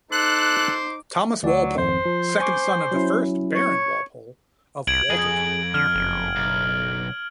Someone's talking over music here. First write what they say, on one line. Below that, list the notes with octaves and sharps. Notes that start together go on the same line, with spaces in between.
Thomas Walpole, second son of the first Baron Walpole, of Wolterton.
D#4 A4 C5 D6 F#6
D2 F#3 D5
G#1 F2 C5
F3
G#5 C#6 D6
F#3 C#4 E4
C#5
C2 G#6 D7 F#7
F2 G#4
D3 F6
F#1
B1